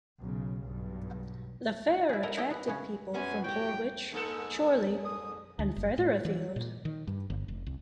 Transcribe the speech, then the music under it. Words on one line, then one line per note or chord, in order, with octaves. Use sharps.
The fair attracted people from Horwich, Chorley and further afield.
B1 C#3
B1 G2
C3
E4 G#4
E4 A4 A#4 D#5
B3 E4 G4 A4 D#5 G5
B3
C#3 B3 C#4
F#2 G#3 B3 C#4 G#5
A2 F#4 G4 G5
G#2 A#3 A4
D#6
D2
F#1
A2
E3
A#2
D#3
G2
G1
F1
C2